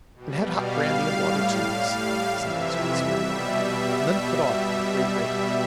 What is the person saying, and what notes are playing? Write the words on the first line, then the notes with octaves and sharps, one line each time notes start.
'And had hot brandy and water too, you see,' said Mr Inspector, 'and then cut off at a great rate.'
B2 G3
F5
A2 G3
A2 G3
F2 C3 E3 E5
B2 G3